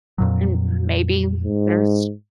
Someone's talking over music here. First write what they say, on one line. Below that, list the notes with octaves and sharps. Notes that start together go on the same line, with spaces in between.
And maybe there's
F2 A#2 F#3
G#2